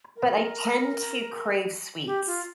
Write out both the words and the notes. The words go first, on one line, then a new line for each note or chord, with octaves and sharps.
but I tend to crave sweets.
A#4
G4
F4